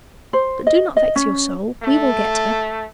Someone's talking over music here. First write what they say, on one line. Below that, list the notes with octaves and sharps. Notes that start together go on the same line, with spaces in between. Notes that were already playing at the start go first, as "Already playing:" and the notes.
But do not vex your soul; we will get her.
C5
D#5
D#5
C#4
A3